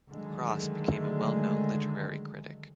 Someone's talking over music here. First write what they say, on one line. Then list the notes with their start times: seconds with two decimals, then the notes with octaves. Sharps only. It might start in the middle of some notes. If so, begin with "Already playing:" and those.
Cross became a well-known literary critic.
0.10 D3 D#3 F#3 G#3 A3